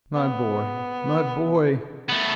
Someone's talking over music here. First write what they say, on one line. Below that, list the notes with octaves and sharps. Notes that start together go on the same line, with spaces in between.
My boy! my boy!
B3
A3 B3